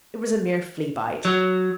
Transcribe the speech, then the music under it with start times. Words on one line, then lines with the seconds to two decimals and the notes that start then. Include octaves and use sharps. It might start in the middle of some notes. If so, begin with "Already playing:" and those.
It was a mere flea-bite.
1.25 F#3